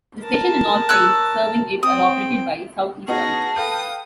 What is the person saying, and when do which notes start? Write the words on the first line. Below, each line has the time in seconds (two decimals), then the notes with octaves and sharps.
The station and all trains serving it are operated by Southeastern.
0.22 A#4 A5
0.89 C#5 E6 F#6
1.83 C4 G5 D#6
3.08 B3 C#4 D#4 F#4 G#4 A5 A#6
3.56 A4 B4 F5 G5 D#6